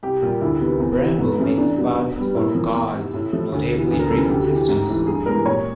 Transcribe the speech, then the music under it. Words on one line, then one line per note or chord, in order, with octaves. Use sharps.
Brembo makes parts for cars, notably braking systems.
C2 G4
A#2 G3 A#3 F4
D2 E4
C3 D#3 B3
E2 C4
B3
C3 E3
C4
G#2 B3
F3 A3 C#4
E2 D4
C3 D#3 F#3 B3
B2
G3 B3
A#2 E4
F3 A#3
E2
C3 D#3
A2
F3 A3
D2
C3 E3
D2
A#4
C#3 E3 G3 B3 A4
D2 G4
F#4
C3 E3
G4
G#2
E3 A3
G2 G#4
E3 G#3 B3 A#4
A#2 C#5